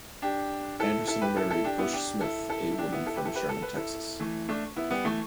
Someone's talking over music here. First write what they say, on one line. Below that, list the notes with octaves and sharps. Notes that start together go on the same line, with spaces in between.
Anderson married Bush Smith, a woman from Sherman, Texas.
D4 G4
E4 A4
E4 A4
G4 B4
E4 A4
E4 A4
D4 G4
B3 E4
D4 G4
E4 A4
E4 A4
E4
D4 G4
B3 E4
E4 A4
G4 B4
E4 A4
G4 B4
A4
B4
E4 A4
E3 A3
A3 D4
B3 E4
G3 B3
E3 A3